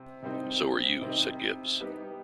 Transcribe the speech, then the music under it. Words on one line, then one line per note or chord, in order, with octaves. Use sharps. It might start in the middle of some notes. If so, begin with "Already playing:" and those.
"So are you," said Gibbs.
Already playing: C3 G3 C4
C3 G3 C4 D#4
C3 G3 C4 D#4
G3 B3 D#4 G4